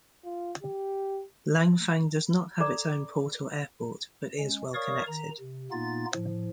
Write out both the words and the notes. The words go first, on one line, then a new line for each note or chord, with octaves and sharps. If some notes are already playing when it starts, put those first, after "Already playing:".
Langfang does not have its own port or airport, but is well connected.
F4
G4
A4 D5 A#5 D6
G#3 C#4
A#4 C#5 D5 F5 C#6 D#6
D#3 A#5
C3
A#2 A#3 B3 D#4 F4 A6
A2 F3